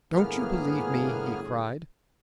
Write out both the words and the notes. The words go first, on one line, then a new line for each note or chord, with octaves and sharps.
"Don't you believe me?" he cried.
G1 A2 A#3 B3 G#4 F6